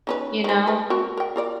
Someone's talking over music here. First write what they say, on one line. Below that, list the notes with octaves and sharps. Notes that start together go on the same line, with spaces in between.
you know?
D#3 C#4 B4
D#3 C5
B4
C4 F#4 A#4
A#4 G5
F4 A#4 D5